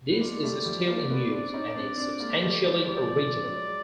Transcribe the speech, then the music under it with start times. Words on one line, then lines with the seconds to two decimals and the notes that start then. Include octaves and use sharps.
This is still in use and is substantially original.
0.11 B3
0.21 G#3 A#3 D5
0.43 G3 A3
0.65 F3 G3
0.87 G#3 A#3
1.09 A3 B3
1.31 C4 D4
1.53 C#4 D#4
1.76 C4 D4
1.98 C4 D4
2.20 G#3 A#3
2.42 G3 A3
2.64 F#3 G#3
2.86 F3 G3 D5
3.16 F3 G3
3.46 F#3 G#3